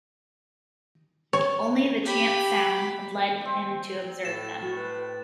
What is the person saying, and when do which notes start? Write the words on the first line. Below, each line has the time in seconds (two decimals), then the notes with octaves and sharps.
Only the chance sound had led him to observe them.
1.33 C#5
2.04 G4 B5
3.41 C4 G5
4.24 A2 A6 E7
4.62 F#4
4.76 B4